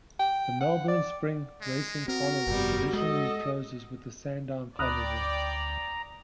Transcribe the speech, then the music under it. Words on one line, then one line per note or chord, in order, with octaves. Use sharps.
The Melbourne Spring Racing Carnival traditionally closes with the Sandown Carnival.
G5
F#5
D5
G#3
C4 F#4 A#4
F1 G2 G3 B3
G#3 A4 D#5
D2 D5 G5 A#5 B5 D#6 F#6